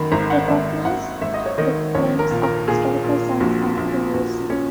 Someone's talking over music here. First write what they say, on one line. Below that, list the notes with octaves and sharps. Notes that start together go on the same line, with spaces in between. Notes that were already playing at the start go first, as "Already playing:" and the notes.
It recognised the claims of historical science and pure reason.
Already playing: F#2 D#3 B5
G#1 A#5
F#5
G#1 E5
G#1 F#5
G#1 E5
D#5
C#5
D#3 D#5
A#1 C#5
A#4
A#2
A#4
A#2 G#4
A#2
A#1 F#4
A#1
A#1 F#4
C#4